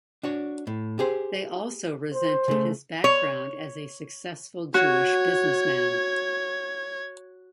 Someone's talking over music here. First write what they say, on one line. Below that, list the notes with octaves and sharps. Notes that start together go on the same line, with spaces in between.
They also resented his background as a successful Jewish businessman.
D4 F#4 C#5
A2
G4 G#4 C5
C5
C#3 A3
C#5
F#4 C#5 G#6